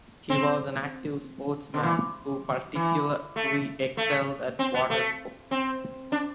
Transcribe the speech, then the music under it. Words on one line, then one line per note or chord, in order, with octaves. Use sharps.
He was an active sportsman who particularly excelled at water sports.
C4
D3
E3
E3
A3
A3
C4
B3
A3
C4
D4